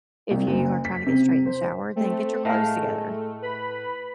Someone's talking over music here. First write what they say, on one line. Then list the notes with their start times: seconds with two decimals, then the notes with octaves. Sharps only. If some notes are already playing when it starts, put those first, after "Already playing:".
if you are trying to get straight in the shower, then get your clothes together.
0.31 C2
0.47 F#1
0.85 B6
1.06 C3
1.46 C5
1.96 A3 C4
2.45 A2 G#3 A#4 F5
3.42 B4 B5